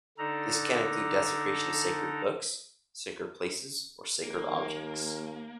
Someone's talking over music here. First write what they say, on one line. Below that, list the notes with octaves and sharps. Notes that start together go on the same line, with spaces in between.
This can include desecration of sacred books, sacred places or sacred objects.
D3 D4 D#4 A4 A#5
D#2 A#3